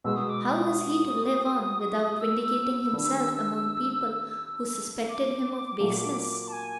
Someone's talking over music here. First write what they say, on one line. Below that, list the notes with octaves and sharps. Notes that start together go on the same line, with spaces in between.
How was he to live on without vindicating himself among people who suspected him of baseness?
B2 G#3 B3 E6
D#6
D6
D#6
E6
D#3 G3 B3 D4
D6
A#2 F#3 A3
A5
G#5